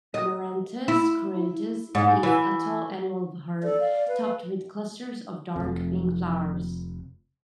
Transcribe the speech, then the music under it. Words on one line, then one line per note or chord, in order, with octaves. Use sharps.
"Amaranthus cruentus" is a tall annual herb topped with clusters of dark pink flowers.
D#5
E4
G#2
E3
A4 D5
F5
B4
F1 F2